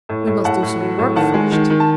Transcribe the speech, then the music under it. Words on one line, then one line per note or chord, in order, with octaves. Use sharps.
"We must do some work first."
A2
A2
A2 F#5 A5
A2
F#3
A2
D#3 F#5 A5
G#3
D#3
D#3
A5